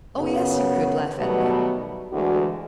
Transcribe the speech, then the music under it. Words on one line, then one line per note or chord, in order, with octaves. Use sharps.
"Oh, yes you could!" laughed Edna.
F#2 C#3 B3
B2 D#3 F#3 G3 A3 B3
D2 D3 E3 G#3 F#4